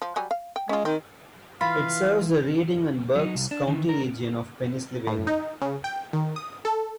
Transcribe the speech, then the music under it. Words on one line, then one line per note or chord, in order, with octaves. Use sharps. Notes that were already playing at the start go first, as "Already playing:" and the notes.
It serves the Reading and Berks County region of Pennsylvania.
F3
F#3 G3 G#5
F5
G5
G#3 C#4 F4
D#3 C4
E3 F4 F5 B5
F#3 D#4
C2
D4
D#3 E3
A#4
A2
D#4
C#3
G5
D#3
D#6
A4